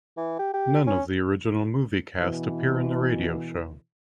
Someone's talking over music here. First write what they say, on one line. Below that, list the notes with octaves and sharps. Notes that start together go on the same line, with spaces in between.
None of the original movie cast appear in the radio show.
E3
G4
G4
C#4
B2 E3